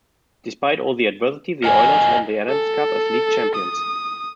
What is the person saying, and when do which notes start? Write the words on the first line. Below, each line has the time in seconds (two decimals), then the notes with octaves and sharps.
Despite all the adversity the Oilers won the Adams Cup as league champions.
1.64 A#4 D#5 F#5 G#5
2.49 A4
3.55 D#6